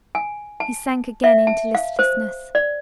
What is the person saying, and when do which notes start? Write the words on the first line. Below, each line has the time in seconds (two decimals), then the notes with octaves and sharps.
He sank again into listlessness.
0.15 G#5
0.60 A5
1.24 E5
1.47 A5
1.75 F5
1.99 C5
2.55 D5